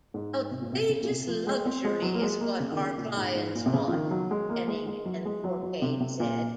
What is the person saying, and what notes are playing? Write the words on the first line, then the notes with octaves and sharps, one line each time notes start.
"Outrageous luxury is what our clients want," Denning and Fourcade said.
G#2
C3
A#2
C3
C#3
A#2
C3
F3
G#3
C4
G#3
F#3
A#3
G#3
A#3
C#3
D#3
C#3
A#2
G#2
G#2
A#2
C3
C#3
F3
D#3
F#3
G#3
A#3
G#3
G#3
F#3
G#3
F#3
F#3
C3
C3
A#2